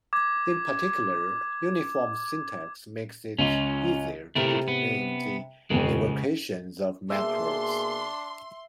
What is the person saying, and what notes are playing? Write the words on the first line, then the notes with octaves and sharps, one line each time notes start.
In particular, uniform syntax makes it easier to determine the invocations of macros.
D6 G#6
C#2 C#4 F4
C3 A3 E4 A#4
B3
D#1 F2 C#3 G#3
B2 A#3 D4 G#4 E5 C6